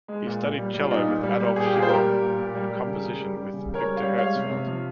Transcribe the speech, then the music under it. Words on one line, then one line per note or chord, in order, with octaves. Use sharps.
He studied cello with Adolf Schiffer and composition with Viktor Herzfeld.
G#3
A#2
A#2
G3
G3
F4
A#2 D#4
A#2
G3
G3
A#2 G#4
G4
A#2 F4 G#4
C5
G3 G4 A#4
G3
A#2
A#2
G3
G3
C#3
C#3
G3
G3
C#3
C#3
A#4 C#5
G3
C#5 F5
G3
G#3 C#5 F5
C3
C3
F3